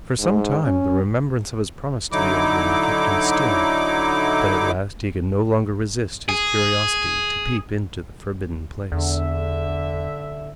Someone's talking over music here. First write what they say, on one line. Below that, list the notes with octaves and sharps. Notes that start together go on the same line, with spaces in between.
For some time the remembrance of his promise to the old woman kept him still, but at last he could no longer resist his curiosity to peep into the forbidden place.
G#2
C#4
D3 F#3 D#4 E4 D6
G#4
E2 D3 E5